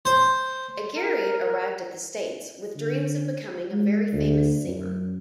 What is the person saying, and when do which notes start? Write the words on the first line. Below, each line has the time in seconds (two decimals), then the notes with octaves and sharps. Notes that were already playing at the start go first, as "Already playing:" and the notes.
Aguirre arrived at the States with dreams of becoming a very famous singer.
0.05 C5
0.96 A#4
2.76 D3
3.72 G#3
4.13 D2
4.66 F#2